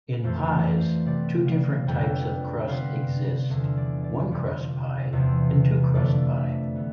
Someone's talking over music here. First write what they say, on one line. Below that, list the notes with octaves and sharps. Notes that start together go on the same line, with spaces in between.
In pies, two different types of crust exist: one-crust pie and two-crust pie.
F2 E3 A3 C5
D5
C5
C3 G3 B3 D5
F5
F2 D3 G3 B3 G5
C3 G3 B3 F5
E2 D3 F3
D5
D5
F2 C3 G3
E2 C3 F3
F2 D3 A3 D5
E5
E3 B3